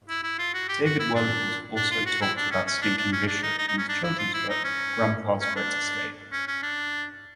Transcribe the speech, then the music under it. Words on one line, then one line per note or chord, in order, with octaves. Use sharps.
David Walliams also talked about Stinking Bishop in his children's book, Grandpa's Great Escape.
E4
E4
F4
F#4
G4
F#4
E4
D4
D4
F4
F#4
E4
D4
C#4
C#4
D4
D4
C#4
D4
D#4
D#4
D#4
C#4
D4
E4
F4
E4
D#4
C#4
C#4
D4
C#4
C#4
D4